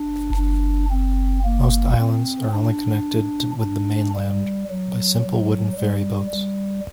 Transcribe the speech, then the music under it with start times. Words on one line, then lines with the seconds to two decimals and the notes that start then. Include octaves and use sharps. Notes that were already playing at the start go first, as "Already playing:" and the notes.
Most islands are only connected with the mainland by simple wooden ferryboats.
Already playing: D4
0.36 D4
0.91 C4
1.45 A#3
1.99 C4
2.54 D4
3.61 D4
4.16 G3
4.70 F#3
5.23 F#3
5.78 G3
6.32 G3